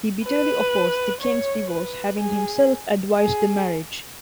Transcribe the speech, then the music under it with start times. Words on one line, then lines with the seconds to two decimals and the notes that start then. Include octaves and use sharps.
He bitterly opposed the king's divorce, having himself advised the marriage.
0.24 B4
1.21 C#5
1.70 B4
2.19 G#4
3.16 G#4